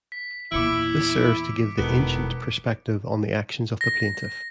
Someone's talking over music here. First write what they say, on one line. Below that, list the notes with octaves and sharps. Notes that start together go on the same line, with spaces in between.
This serves to give the "ancient" perspective on the actions of the plaintiff.
B6
E2 A#2 E4 D6 C#7 D7
E1 A2 D#3 B3
A#6